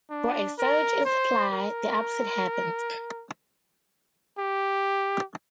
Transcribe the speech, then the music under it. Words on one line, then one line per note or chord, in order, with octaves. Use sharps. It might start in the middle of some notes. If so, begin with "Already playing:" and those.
For a surge in supply, the opposite happens.
D4
A#4
C5
A#4
G4